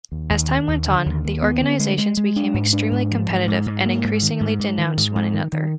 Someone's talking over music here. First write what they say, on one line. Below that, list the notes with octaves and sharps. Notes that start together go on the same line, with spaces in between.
As time went on, the organizations became extremely competitive and increasingly denounced one another.
D#2
D#2
D#3
D#2
D3
D#2
D#2
B3
D3
G#3
G#3
G#3
D4
G#2
D4
G#2
F3
G#2
G#2
G#2
A#3
G#2
D#3
G#2
G#2
D#3
G#2
G#2
D#3
D#3